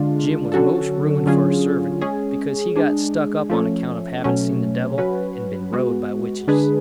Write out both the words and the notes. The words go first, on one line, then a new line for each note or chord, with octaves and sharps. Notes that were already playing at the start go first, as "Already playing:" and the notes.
Jim was most ruined for a servant, because he got stuck up on account of having seen the devil and been rode by witches.
Already playing: D3 G#3 D4 F4
D3 F#3 C#4 F#4 A4
D3 F#3 C#4 F4 G#4
G#3 C#4 G#4
G#3 D4 G#4
F3 A3 C#4
B2 F#3 A3 C#4
F#3 C#4 F#4 B4
G#3 B3 F#4
D3 G#3 D4 G#4 B4